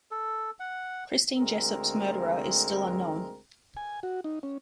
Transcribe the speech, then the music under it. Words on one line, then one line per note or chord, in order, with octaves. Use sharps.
Christine Jessop's murderer is still unknown.
A4
F#5
D2 G#3 C4 A#4
G#5
F#4
D#4
C#4